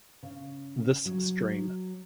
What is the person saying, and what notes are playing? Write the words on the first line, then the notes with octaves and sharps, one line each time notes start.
This stream.
C#3
F#3